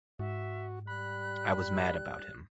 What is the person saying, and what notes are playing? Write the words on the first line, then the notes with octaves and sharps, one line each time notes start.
I was mad about him.
G#2 F#4 E5
G3 B5 F#6